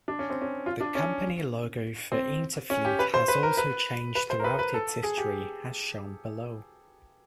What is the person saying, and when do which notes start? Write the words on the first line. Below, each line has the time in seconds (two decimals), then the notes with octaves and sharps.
The company logo for Interfleet has also changed throughout its history as shown below.
0.08 D4
0.19 C#4
0.30 C4
0.42 C#4
0.66 F4
0.80 D4
0.95 C#4
2.12 C4
2.70 C#4
2.85 G4
2.99 B4
3.14 C5
3.28 B4
3.43 A#4
3.57 B4
4.15 B4
4.30 C5
4.40 A#4
4.44 B4
4.59 B4
4.74 A4
5.03 G#4
5.18 G4